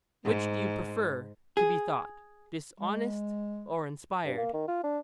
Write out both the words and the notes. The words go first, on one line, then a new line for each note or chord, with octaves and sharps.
Which do you prefer to be thought, dishonest or inspired?
G#2
G#4
G#3
G2
A#3
D#3
F4
D4